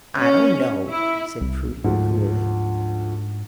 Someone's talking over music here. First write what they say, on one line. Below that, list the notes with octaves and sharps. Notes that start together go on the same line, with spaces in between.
"I don't know," said Prudy, coolly.
C#4
E4
C2
D2 G#2 F3